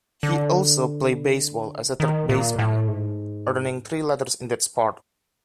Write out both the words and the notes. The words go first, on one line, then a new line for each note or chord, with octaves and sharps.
He also played baseball as a third baseman, earning three letters in that sport.
D3
D#3
A#2
A2
G#2